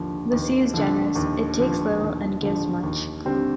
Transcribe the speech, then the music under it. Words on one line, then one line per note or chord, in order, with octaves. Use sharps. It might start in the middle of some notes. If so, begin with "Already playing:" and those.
The sea is generous - it takes little and gives much.
Already playing: D#2 D3 F3
D#2
D3 F3
D#2
D3 F3
D#2
D3 F3
D#2
D3 G3 C4